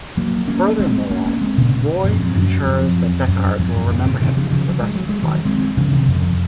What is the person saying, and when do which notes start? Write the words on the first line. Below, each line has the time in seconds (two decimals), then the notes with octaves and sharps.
Furthermore, Roy ensures that Deckard will remember him for the rest of his life.
0.17 F#3 A#3
0.48 A#3 C#4
0.80 G#3 C4
1.10 A#3 C#4
1.26 A#3 C#4
1.42 G#3 C4
1.57 A#2 C#3
2.04 F#2 A#2
2.19 F2 G#2
2.35 F#2
2.66 F2
3.28 F#2
3.59 F2 G#2
3.75 F#2 A#2
3.90 A#2 C#3
4.06 A#2 C#3
4.21 C3 D#3
4.37 C#3 F3
4.52 C#3 F3
4.68 F#3
4.81 G#3
4.95 F#3
5.09 G#3
5.23 D#3 F#3
5.45 G#3 C4
5.77 C#3 F3
5.92 C3 D#3
6.08 F2